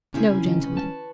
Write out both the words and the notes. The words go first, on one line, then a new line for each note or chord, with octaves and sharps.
No gentleman!
C#2 C3 A#3 C#4 E4 G#4
D#3
B4 C#5
A5